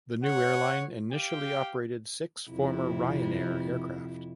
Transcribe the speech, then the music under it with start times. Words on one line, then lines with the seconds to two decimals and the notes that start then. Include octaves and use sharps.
The new airline initially operated six former Ryanair aircraft.
0.23 C#5 F#5
1.12 G4 F5 G5
2.51 F2 C3 E4